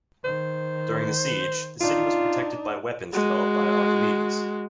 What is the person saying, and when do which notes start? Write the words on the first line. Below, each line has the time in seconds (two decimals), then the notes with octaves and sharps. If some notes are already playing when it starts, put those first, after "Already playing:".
During the siege, the city was protected by weapons developed by Archimedes.
0.24 D#3 C5
1.80 D4 D#4 F4
3.13 G#3 F#4